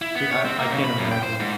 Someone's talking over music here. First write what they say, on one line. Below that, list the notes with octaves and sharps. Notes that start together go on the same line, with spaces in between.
the I I can't imagine.
E4
B3
C#5
C4
A#3
C#3
B5
F#2
G5
C5
G#2